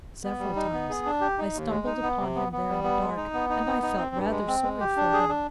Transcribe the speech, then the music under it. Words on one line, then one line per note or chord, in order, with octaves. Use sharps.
Several times I stumbled upon him there in the dark, and I felt rather sorry for him.
B3
G3
D#4
B3
G#4
D4
G4
D#4
D#2
G#3
D#4
B3
C3
B3
B3
G3
B3
G#3
D#4
B3
D#4
B3
D#4
C4
G2
G#3
C4
G#3
G4
D4
G#4
D4